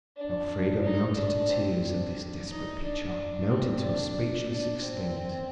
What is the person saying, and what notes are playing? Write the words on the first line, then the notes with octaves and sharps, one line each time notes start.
Elfrida melted to tears at this desperate picture, melted to a speechless extent.
D4
D#4
D4
C4
D4
D#4
D4
C4
D4
D4
C4